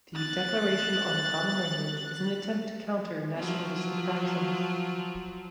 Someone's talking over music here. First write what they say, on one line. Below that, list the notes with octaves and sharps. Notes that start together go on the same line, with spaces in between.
The "Declaration on the common language" is an attempt to counter nationalistic factions.
F#6 A6
F3 F#3